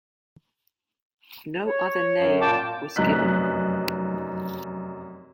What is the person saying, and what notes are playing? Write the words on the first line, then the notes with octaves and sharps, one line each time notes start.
No other name was given.
C#5
F#2
A#2 F4 G5 A5 D6
F1 F#2 D#4 F#6 B6